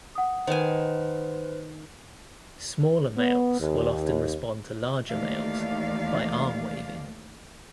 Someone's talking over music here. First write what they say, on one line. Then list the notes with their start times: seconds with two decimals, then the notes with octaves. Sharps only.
Smaller males will often respond to larger males by arm waving.
0.15 F#5 D#6
0.47 D#3 B4 C5 G#5
3.17 B3
3.59 D#2
5.09 D#2 D#3 E3 A3 D5 F5